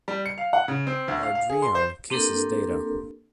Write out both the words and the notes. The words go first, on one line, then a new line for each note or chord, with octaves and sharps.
Ard'rian kisses Data.
G3
C#7
F5
F#5
C#3
C4
D2
F5
F5
G#4
C6
C5
A#3 C4 D4 G4 A4 A#4